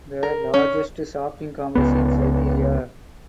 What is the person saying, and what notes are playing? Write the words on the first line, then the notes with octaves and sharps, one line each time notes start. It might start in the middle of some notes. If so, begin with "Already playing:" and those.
The largest shopping complex in Siberia.
A#4
C#4
C#2 B3